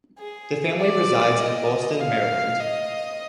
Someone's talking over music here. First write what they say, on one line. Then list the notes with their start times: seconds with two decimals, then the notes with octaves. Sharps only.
The family resides in Fallston, Maryland.
0.19 G#4
0.79 D5
1.40 D#5
2.00 F5
2.60 D#5